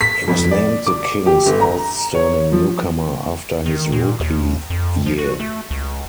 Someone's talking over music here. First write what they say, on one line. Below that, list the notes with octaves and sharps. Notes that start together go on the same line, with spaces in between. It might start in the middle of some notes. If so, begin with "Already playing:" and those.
He was named the Kings outstanding newcomer after his rookie year.
B6
F2
D5
D6
G4
G1
A#5
C#5
F3
D#3
A#2
D#2
F2
F3
F#4
A3
C#2